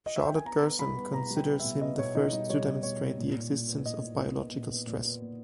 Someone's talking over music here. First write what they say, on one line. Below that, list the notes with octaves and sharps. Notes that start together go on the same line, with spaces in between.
Charlotte Gerson considers him the first to demonstrate the existence of biological stress.
D#5
E5
G5
G#5
B3 A#5
B3
G3 B5
B3
B2 A#5
G3
G5
B3
B2 E5
B3 D#5
B2 C#5
B2 D#4
G3 D#4
G3 C#5
B2
B2 C#5
G3
A#2
A#2
A#2
B3
A#2 D#5
A#2
A#2
B3
A#2
B3
A#2
B3
A#2